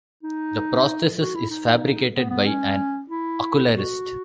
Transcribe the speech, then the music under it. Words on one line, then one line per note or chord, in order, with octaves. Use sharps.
The prosthesis is fabricated by an ocularist.
D#4
F#4
E4
D#4
B3
B3
C#4
E4
F#4